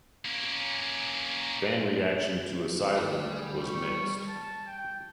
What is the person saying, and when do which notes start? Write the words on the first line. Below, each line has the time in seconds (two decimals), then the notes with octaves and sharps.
Fan reaction to "Asylum" was mixed.
0.25 A#3 C#4
2.96 G3
3.30 G#4
3.62 C#6
4.28 A5
4.67 G5